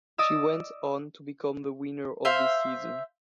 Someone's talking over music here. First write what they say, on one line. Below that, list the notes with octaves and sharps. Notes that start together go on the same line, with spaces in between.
She went on to become the winner of this season.
D5 D#5 D#6 E6
C5 E5 F5